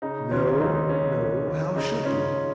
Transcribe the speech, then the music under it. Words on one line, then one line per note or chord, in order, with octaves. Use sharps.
No, no; how should you?
C#3 D#4
D#2 C#4 F4
D#2 D#4
C#3 C#4
D#2
D#2
C#3 D#4
C#3 C#4 F4
C#3